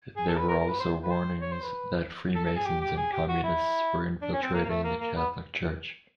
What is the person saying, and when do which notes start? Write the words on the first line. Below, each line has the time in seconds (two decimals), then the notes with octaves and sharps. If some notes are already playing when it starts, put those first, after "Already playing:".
There were also warnings that Freemasons and Communists were infiltrating the Catholic Church.
0.16 G#4
0.28 A4
0.37 B4
0.48 A#4
0.58 A#4
0.69 B4
0.80 C5
1.03 B4
1.10 C5
1.41 C#5
1.52 C5
1.62 B4
2.35 A4
2.46 A4
2.55 G#4
2.66 G4
2.81 G4
2.97 G#4
3.12 G4
3.28 F#4
3.43 E4
4.21 D4
4.33 C#4
4.42 C4
4.53 A#3
4.64 A#3
4.69 A3
4.84 A#3
5.00 A#3
5.16 B3